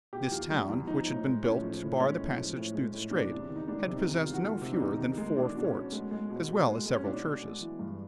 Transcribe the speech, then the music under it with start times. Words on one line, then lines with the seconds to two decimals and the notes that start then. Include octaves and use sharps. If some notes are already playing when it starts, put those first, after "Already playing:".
This town, which had been built to bar the passage through the strait, had possessed no fewer than four forts as well as several churches.
0.13 B2 G4
0.31 E2 F4
0.50 G3
0.68 E2
0.87 F3 D#4
1.06 A2
1.25 G#3
1.43 A2 C#4
1.62 F3
1.80 A2
2.00 G#3 C#4
2.18 A2
2.37 F3
2.56 A2
2.74 G#3
2.93 A2
3.11 C3 D4
3.31 E2
3.49 D#3
3.56 D#4
3.68 G#3 D4
3.86 C3
3.96 D#4
4.05 E2
4.24 D#3 F4
4.34 F#4
4.43 G#3 F4
4.61 C3
4.73 D4
4.80 E2 D#4
4.99 D#3
5.18 G#3
5.36 G#3 D4
5.54 B2 D4
5.64 C#4
5.73 B2
5.92 G#3
6.11 G#3
6.30 B2
6.49 B2
6.67 G#3
6.86 G#3
6.94 C#4
7.04 B2 D4
7.23 B2
7.42 G#3
7.61 E3
7.79 G2